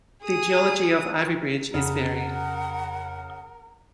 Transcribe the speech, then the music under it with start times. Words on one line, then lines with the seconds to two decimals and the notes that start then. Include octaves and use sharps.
The geology of Ivybridge is varied.
0.23 G#4 D#6
1.74 F2 C#3 A#4 F#5